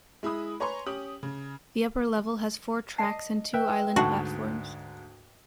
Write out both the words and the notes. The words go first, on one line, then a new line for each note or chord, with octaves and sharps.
The upper level has four tracks and two island platforms.
G#3 E4 B5 D#6
B4 C#5 G#5 A#5 C6 C#6
C#4 G4 D#6 F#7
C#3
D5 D#5 A5 C7
B4 E5 G5
D2 G#2 F#4 A4 A5 B5